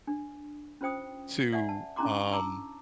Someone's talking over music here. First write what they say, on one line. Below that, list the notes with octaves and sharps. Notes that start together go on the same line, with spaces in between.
to, um,
D4
C#4 F4 C5 G5 D#6
D5 E5 F#5 G#5
A5
C#4 D4 E4 A#5 C6 D6
A5 A#5 C#6 D6 E6